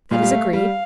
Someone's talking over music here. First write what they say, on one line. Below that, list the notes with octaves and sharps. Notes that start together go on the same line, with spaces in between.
"That is agreed."
A#2 F5
G3
A3
G3 F5